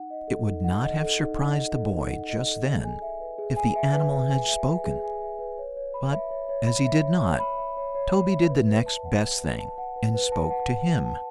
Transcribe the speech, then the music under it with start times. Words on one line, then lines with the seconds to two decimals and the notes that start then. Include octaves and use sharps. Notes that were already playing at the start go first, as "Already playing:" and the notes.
It would not have surprised the boy just then if the animal had spoken; but as he did not, Toby did the next best thing, and spoke to him.
Already playing: D#4 F#5
0.10 D#5
0.28 A4
0.47 D#4
0.64 F#5
0.84 D#5
1.01 A4
1.19 D#4
1.38 F#5
1.56 D#5
1.74 A4
1.93 D#4
2.10 F#5
2.29 D#5
2.47 A4
2.66 G#4
2.84 G#5
3.02 E5
3.20 B4
3.39 G#4
3.56 G#5
3.76 E5
3.93 B4
4.11 G#4
4.30 G#5
4.49 E5
4.67 B4
4.84 G#4
5.03 G#5
5.22 E5
5.39 B4
5.58 C#5
5.76 C#5
5.94 B5
6.12 E5
6.31 C#5
6.49 C#5
6.67 B5
6.85 E5
7.04 C#5
7.21 C#5
7.39 B5
7.58 E5
7.77 C#5
7.95 C#5
8.13 B5
8.31 E5
8.49 B4
8.67 B4
8.86 A5
9.05 F#5
9.23 B4
9.41 B4
9.60 A5
9.78 F#5
9.96 B4
10.14 B4
10.32 A5
10.50 F#5
10.69 B4
10.87 B4
11.06 A5